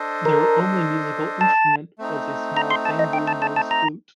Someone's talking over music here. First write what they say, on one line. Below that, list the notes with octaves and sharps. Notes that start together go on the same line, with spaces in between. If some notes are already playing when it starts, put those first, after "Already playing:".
Their only musical instrument was a small bamboo nose flute.
Already playing: D4 A4 C5 D#5
A#4
A5
A3 C4 D#4
A#5
C6
A5
D#5
G5
A5
A5
A5
A#5